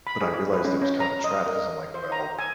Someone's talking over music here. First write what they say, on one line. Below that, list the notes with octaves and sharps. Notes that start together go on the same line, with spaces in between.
but I realized it was kind of a trap 'cause I'm like, "Well,
B5
G#4
G#4
B4
C#4
C#4
A#5
D#5
A#4
C5
A#5
G#5